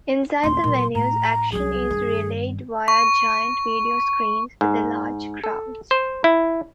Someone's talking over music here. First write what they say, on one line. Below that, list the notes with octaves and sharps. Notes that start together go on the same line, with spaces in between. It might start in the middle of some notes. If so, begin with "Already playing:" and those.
Inside the venues, action is relayed via giant video screens for the large crowds.
D1 C#4 C6
A#2 F#3
A2 A#5
C2 F#3 G#4
G2 D#3
C#6
G#2
A4
C5
E4